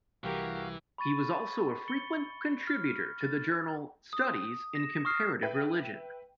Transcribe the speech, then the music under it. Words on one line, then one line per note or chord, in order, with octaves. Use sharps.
He was also a frequent contributor to the journal "Studies in Comparative Religion".
C2 E3 G3 F#4 G4 A#4 F5
B5 C#6 A6 D#7
A6 C#7 F#7 G7
F6
A6
D#6
A#6 E7
C#6 D#6 F6 C7
B4 E5 G5